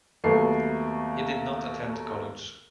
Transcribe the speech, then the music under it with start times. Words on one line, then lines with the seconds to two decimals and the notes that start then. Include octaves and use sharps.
He did not attend college.
0.24 D#2 F#3 A3 B3 A4 C7